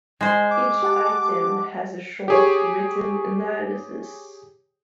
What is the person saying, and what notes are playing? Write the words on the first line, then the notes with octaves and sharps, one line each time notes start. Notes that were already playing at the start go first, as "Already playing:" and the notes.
Each item has a short written analysis.
G#3 C5
D6
G4 F#5 A5
G4 G#4 C#5